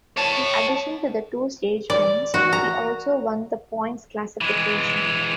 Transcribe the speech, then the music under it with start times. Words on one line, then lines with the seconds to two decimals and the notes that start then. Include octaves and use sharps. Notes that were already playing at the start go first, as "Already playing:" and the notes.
In addition to the two stage wins, he also won the points classification.
0.17 C#5 A5
1.90 D5
2.34 F#4
2.53 A#5
4.41 E3 G#3